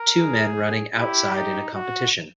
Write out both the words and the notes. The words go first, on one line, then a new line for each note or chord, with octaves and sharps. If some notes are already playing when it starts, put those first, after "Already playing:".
Two men running outside in a competition.
Already playing: A#4
G#4
E4 G4
D#4
F#4